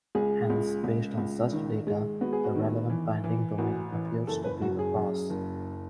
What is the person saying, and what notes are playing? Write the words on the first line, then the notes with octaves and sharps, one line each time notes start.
Hence based on such data, the relevant binding domain appears to be the clause.
C#2 G#4
C#2
C#2
C#2
D#3
G#3
B3 F#4
G#4
F#4
D#3
E3
E3
A1 F#4
E3
F#1 A4
B4
F#2 F#4
G#4
F#2
F#1